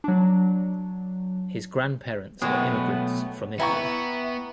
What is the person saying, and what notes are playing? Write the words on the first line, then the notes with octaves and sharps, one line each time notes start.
His grandparents were immigrants from Italy.
F#3 D4
B2 F#3 G#3 A3 B3 C#5 F#5 G5
B3 E4 G5 A#5 C#6